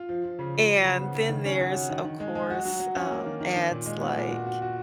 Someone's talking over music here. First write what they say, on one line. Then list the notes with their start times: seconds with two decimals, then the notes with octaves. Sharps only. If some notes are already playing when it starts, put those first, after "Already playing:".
And then there's, of course, um, ads like,
Already playing: F4
0.09 F3
0.24 F3
0.39 C#3
0.54 F3
0.69 F3
0.84 C#3
0.99 B3
1.15 C#3
1.29 D#3
1.45 C#4
1.60 F#4
1.75 F#4
1.90 D#3
2.05 D#3
2.20 G#3
2.35 G#3
2.50 F#4
2.65 F#3
2.80 F#3
2.95 C#4
3.11 A#3
3.26 D#3
3.40 D#3
3.56 D#3
3.71 A#2
3.86 G#3
4.01 B3
4.17 A#2
4.31 F#4
4.47 F#4
4.62 F#4